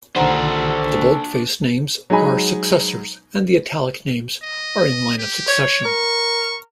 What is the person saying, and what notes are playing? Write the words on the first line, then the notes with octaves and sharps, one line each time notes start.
The boldface names are successors, and the italic names are in line of succession.
B1 D3 D#3 D4 A4 C5 F#5 A#5
F#3 G#3 D#4 G#5 B5
D#5
G4
C#5
A#4 C#6